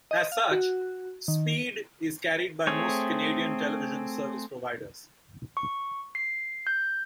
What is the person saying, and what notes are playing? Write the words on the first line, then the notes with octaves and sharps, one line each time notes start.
As such, Speed is carried by most Canadian television service providers.
D#5
F5
F#4
D#3
A3 C4 G#4 C#5
C#6
C7
G6